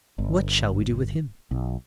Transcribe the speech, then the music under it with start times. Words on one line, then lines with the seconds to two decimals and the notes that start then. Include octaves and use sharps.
"What shall we do with him?"
0.18 G1
1.51 B1